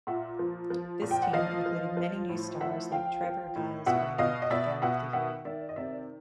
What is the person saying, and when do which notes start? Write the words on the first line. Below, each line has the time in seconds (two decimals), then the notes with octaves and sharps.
This team included many new stars like Trevor Giles Graham Geraghty.
0.07 A#2 E5 F#5
0.39 F3
0.70 F3
1.02 A#2
1.11 G5
1.22 F#5
1.33 F3 D#5 F5
1.66 F3
1.97 F3
2.29 A2
2.60 F3 E5 F#5
2.92 F3 F5 G5
3.24 F3
3.55 A2
3.86 B2 E5 F#5
4.18 B2 D#5 F5
4.42 D#5
4.50 B2 D5 E5
4.82 B2 E5 F#5
5.13 D#3 E5 F#5
5.45 D#3 D5 E5
5.69 D#5
5.76 C3 D5 E5